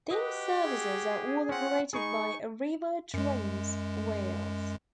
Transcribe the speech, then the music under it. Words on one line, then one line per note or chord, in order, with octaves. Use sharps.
These services are all operated by Arriva Trains Wales.
F#4 G4 B4 D#5
G#4
C4 C#4 F4 F#5
D#4 G#4 B5 C#6
F#2 G#3